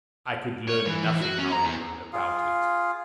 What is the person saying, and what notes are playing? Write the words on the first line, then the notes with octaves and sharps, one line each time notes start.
I could learn nothing, however, about it.
C#5
E3
E3
F#4
C#4
A#5
E2
F4 G#4 F5